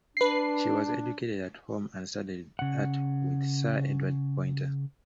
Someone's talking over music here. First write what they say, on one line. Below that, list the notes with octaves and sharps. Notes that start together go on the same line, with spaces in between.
She was educated at home and studied art with Sir Edward Poynter.
D4 B4 C7
C#3 F#5